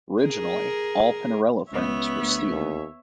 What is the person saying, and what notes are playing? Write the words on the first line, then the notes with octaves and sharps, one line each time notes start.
Originally, all Pinarello frames were steel.
G#4 A#4
C#2 B3 C#5 E5
D2
D#2